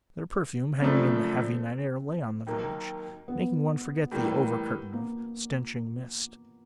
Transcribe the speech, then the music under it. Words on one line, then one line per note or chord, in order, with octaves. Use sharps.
Their perfume, hanging in the heavy night air, lay on the village, making one forget the over-curtain of stenching mist.
F#2 C#3 F3 A3 C4 D4
D#2 D#3 F#3 A#3
B3
A2 E3 G3 A#3
A#3